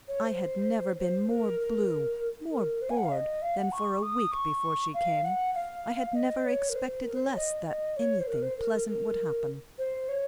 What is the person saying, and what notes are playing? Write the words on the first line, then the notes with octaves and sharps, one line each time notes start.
I had never been more blue, more bored, than for a week before she came; I had never expected less that anything pleasant would happen.
C#5
C5
C5
A#4
A#4
A#4
C5
G#5
F#5
F5
D#5
F5
F#5
C#6
D#6
C#6
F5
F#5
F5
D#5
C#5
A#4
C5
A#4
C5
C#5
D#5
D#5
C#5
C5
A#4
C5
A#4
A#4
C5
C#5